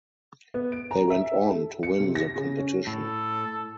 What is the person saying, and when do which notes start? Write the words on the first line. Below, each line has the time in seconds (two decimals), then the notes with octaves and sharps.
They went on to win the competition.
0.54 B3
0.72 D7
0.91 A#5
1.10 E5
1.49 A4
1.83 C#7
2.00 C3
2.15 A#6
2.36 C#3
2.59 C#4
2.87 A2 A4